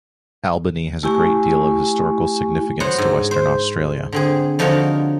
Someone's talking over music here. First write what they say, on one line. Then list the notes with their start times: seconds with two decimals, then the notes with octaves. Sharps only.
Albany has a great deal of historical significance to Western Australia.
1.03 A3 E4 G4 G#5 C#6
2.80 F#3 B3 C5 F#5
2.98 G#2
3.31 C5
4.13 D3 C4 G#4
4.59 D3 F3 D#4 F#4 A#4 C#5